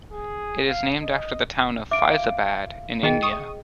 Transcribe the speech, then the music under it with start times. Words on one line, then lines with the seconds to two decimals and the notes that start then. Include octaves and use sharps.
It is named after the town of Faizabad in India.
0.12 G#4
0.68 F5
1.01 D#5
1.91 F4 E5 F5 D6 D7
3.03 D#3 G#4 D#5 G5
3.23 C#6 D#6